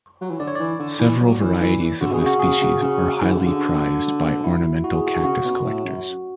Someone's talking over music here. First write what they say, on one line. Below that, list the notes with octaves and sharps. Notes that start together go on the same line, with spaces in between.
Several varieties of this species are highly prized by ornamental cactus collectors.
F#3
E3
D3 D5
C#5
E3 D5
D3
E3
F#3
E3
E3
E3
D3 F#4
B2 G#4
C#3 F#4
C#3 G#4
F#4
C#3
C#3 F#4
E3
D3
C#3
D3
E4
F#4
G#4
F#4
D3
C#3 F#4
B2
A2
F#2